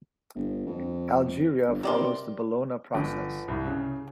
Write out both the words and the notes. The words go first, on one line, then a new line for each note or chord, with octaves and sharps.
Algeria follows the Bologna process.
G1
F2
G1
C3 D#3 D5 C6
G1
C2
C#3